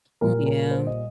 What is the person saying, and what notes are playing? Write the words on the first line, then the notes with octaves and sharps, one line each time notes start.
Well, yeah.
A#2 G3 A#4
A#4
C5
D#5